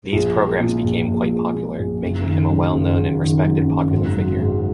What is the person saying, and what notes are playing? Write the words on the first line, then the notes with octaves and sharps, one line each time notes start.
These programs became quite popular, making him a well known and respected popular figure.
A#1
G#3
A#2
A#1
A#1
G#3
A#2
A#1
F#1
D#3
F#2
F#1
F#1
D#3
F#2
F#1
G#1
F#3
G#2